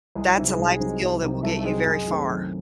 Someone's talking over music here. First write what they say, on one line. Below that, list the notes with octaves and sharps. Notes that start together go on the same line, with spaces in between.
that's a life skill that will get you very far.
C2 G#3
F#3
C3 E3 F#3 C4 D#4
G#3
C2
C3 F#3 C4 D#4
C2
C3 F#3 C4 D#4
C2 A3
A3
C3 F#3 G#3 C4 D#4
F#2
D#3 A3 C4
F#2